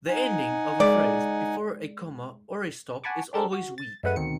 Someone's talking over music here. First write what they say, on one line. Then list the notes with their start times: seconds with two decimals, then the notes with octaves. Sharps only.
The ending of a phrase, before a comma, or a stop, is always weak.
0.08 D#4 F#5 G#5
0.80 G#3 D5
3.04 F#5 G#5 A5 B5 C#6 D6
3.33 D4 G4 A4 A#4 C5
3.53 F#4
3.78 A6
4.03 F#2 G#3 A3 B4 F#5 D#7
4.16 D2 B2 D#3 C4 C#7